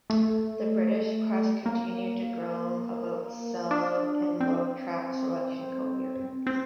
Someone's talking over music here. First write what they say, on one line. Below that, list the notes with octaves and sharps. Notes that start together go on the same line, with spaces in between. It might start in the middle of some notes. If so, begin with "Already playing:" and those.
The British press continued to groan about sell-out and low track selection coherence.
A3
A#3
D4
C4
C4